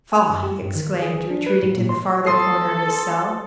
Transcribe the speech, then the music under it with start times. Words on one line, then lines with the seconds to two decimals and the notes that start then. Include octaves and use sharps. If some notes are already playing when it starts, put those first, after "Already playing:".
"Faugh!" he exclaimed, retreating to the farther corner of his cell.
0.12 G#5
0.29 F#2
0.43 G4
0.62 G2
0.75 D#3
1.02 G#4
1.15 G#1
1.30 D4
1.46 B4
1.63 G#2
1.77 A#2
1.89 C6
2.26 A4 C6 D#6 C7